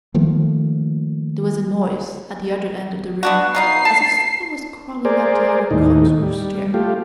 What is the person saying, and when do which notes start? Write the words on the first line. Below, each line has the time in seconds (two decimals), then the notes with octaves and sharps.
There was a noise at the other end of the room, as if something was crawling up the iron corkscrew stair.
0.14 D#3 F3 A3 A#3
3.23 B3 D4 F#4
3.55 B2 D#4 F5 C7
3.85 A5
5.05 G#4 A#4 C5 D5
5.71 D#2 A2 D#4
6.22 G3
6.74 A3 F4 G4